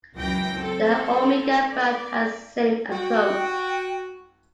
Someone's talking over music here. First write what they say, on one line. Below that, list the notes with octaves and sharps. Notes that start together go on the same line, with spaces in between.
The Omega brand has the same approach.
C#2 F#2 E3 G5 A#6
C4 A4
D5
F#4 G5